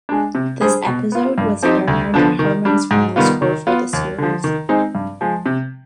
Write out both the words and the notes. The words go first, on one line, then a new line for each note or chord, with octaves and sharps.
This episode was Bernard Herrmann's final score for the series.
G#3 D4
C3
G3 D4 G#4 C5
B2
B3 F4
G2
F3 C4 D#4 G4
D2
D3 F3 B3 D4
D#3
G3 D4
G#2
D#3 G3 B3 F4
D#3
B3 F4
D#2
D3 F3
D#3
G#3 C4 D#4
G2
F3 G#3
C3